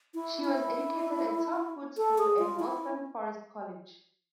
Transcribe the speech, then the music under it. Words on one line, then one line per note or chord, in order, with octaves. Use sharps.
She was educated at Tom Hood School and Waltham Forest College.
E4
E4
A4
G#4
F4
E4